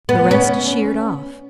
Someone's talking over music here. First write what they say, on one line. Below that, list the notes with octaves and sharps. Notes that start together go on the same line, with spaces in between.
The rest sheered off.
B3
C#4